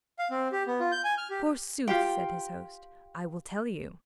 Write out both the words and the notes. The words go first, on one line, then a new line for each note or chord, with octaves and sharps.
Forsooth, said his host, I will tell you.
F5
C4
G4
B3
F4
G6
G#5
F6
G4
F4 G4 G5